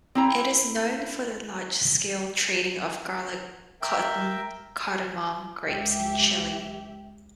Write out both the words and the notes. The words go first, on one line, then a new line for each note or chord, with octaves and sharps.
It is known for the large-scale trading of garlic, cotton, cardamom, grapes and chilli.
C4 E4 A#5
A#4 E5 G5
C#2 G4 E5